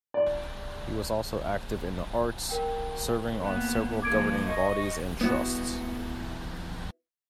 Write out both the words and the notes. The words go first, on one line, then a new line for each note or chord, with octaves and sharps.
He was also active in the arts, serving on several governing bodies and trusts.
D5
A#4 G5
A#3 B3
F3 A#3 D6 G#6 D7
D#5 C#6
B3 E4 F#4